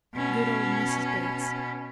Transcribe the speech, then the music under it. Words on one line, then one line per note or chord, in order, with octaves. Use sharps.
Good old Mrs. Bates.
B2 C#4